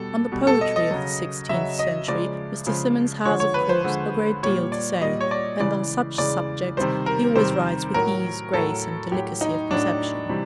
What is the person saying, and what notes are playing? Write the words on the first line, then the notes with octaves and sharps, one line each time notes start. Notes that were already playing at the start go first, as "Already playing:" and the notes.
On the poetry of the sixteenth century Mr. Symonds has, of course, a great deal to say, and on such subjects he always writes with ease, grace, and delicacy of perception.
Already playing: B2 G3 A4
B2 G3
A4
D#5
D#5
C#3 F#3
C#3 F#3 E5
D#5
C#3 F3 G#3 D5
C#3 F3 G#3
D3 F3 G#3 C#5
C#5
B4
C5
D3 F3 G#3
A#2 G3 C#5
D5
A#2 G3 D#5
C#5
D5
C#3 E3 G#3 D5
C#3 E3 G#3 D5
C3 D#3 G3 C5
A#4
C3 D#3 G3 C5
A2 F#3 A#4
A2 F#3 A4
A2 F#3 G4
D#4
A2 F#3 D4
C3 E3 G3